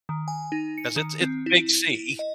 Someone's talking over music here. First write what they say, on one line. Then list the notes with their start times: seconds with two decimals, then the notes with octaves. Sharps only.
'cause it's it's a big sea,
0.09 D#3
0.28 G#5
0.52 D#4
0.78 C#7
0.96 D#3
1.21 C4
1.46 E4
2.19 D#5